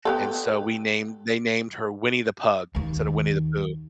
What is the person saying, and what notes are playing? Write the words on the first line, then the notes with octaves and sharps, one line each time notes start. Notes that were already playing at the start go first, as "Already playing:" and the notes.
and so we named they named her Winnie the Pug instead of Winnie the Pooh.
B3 G4 A4
D#2 D#3